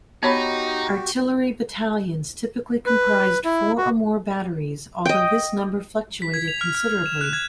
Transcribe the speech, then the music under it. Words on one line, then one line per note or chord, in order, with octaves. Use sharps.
Artillery battalions typically comprised four or more batteries, although this number fluctuated considerably.
B3 D#4 F#4 G4 C#5 B5
B4
E4
F#4
D#5 G5
B6
G#6
F7
F6
F6
E7
F#6
G#6